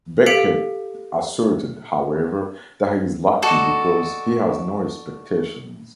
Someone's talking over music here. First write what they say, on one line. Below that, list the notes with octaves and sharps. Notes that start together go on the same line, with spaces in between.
Beckett asserted, however, that he is lucky because he has "no expectations".
G4 A4 F5 B6 C#7 D7
F#4 A4 D5 D#5